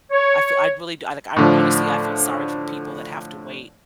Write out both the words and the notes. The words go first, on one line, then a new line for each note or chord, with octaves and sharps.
I feel I really I don't like, honestly, I feel sorry for people that have to wait.
C#5
A2 D3 F3